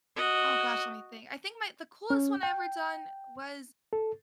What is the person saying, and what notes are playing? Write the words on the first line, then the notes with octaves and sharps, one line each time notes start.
Oh, gosh, let me think. I think my the coolest one I ever done was
F#4 D#5
C#4
G5
A4